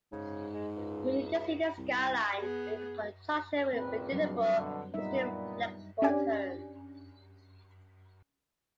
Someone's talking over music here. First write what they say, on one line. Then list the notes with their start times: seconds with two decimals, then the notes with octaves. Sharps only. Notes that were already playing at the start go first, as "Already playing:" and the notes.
We need to see the sky line in conjunction with predictable, but still flexible terms.
0.12 G#2 C#3
0.53 G#3
0.76 C#2
1.78 C2
2.39 B3 G#4
3.73 G#1 C#2 A#2 C4 B4
4.12 F#3 G3 D4
4.50 B2 D3
4.94 A#2 G3 B3 D#4 E5
6.02 C#4 D4 G4 D5 G#5